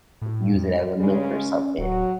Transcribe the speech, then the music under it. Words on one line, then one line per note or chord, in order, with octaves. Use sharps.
use it as a nook or something.
A2
F2
C#3 G3 G#3
C#4
D1 F#3